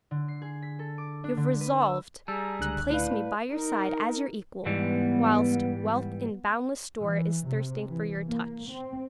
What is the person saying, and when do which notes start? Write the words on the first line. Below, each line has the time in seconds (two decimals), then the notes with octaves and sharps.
You have resolved to place me by your side as your equal, whilst wealth in boundless store is thirsting for your touch.
0.11 D3
0.28 C7
0.42 G#4
0.62 B6
0.79 A4
0.98 D6
1.24 D4
1.37 D3
1.61 B4
1.81 E6
2.28 G3 G#4 A5 A#5 E6
2.59 C#2 D3 F#6
2.90 A2 E4 B4 D5 F5
3.51 D#4 A#4
4.65 G#2 E3 G3 B3
7.03 E3
7.48 C3
7.88 E3
8.29 A#3
8.70 C4